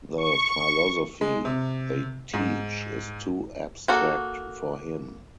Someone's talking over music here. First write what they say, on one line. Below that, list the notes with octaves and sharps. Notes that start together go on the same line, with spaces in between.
The philosophy they teach is too abstract for him.
C#6
G#3
C3
G#2
A#3 F#4 A4